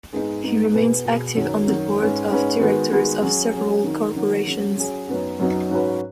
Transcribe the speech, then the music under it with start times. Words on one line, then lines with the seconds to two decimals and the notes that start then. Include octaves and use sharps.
He remains active on the board of directors of several corporations.
0.13 G#2 G#3 B3 D#4
0.44 G#2 G#3 B3 D#4
0.74 B2 B3 G#4 B4
1.05 B2 B3 G#4 B4
1.36 F#2 D#3 F#3
1.67 F#2 D#3 F#3
1.99 G#2 G#3 C#4 B4
2.29 G#2 G#3 C#4 B4
2.60 D#3 G#3 B3 F#4 B4
2.92 D#3 G#3 B3 F#4 B4
3.22 F#3 C#4 G#4
3.53 F#3 C#4 G#4
3.84 D#3 F#3 D#4
4.16 D#3 F#3 D#4
4.47 F#3 C#4 G#4
4.78 F#3 C#4 G#4
5.08 F#2 F#3 B3 D#4 F#4
5.39 F#2 F#3 B3 D#4 F#4
5.70 G#2 F#3 C#4 F#4 B4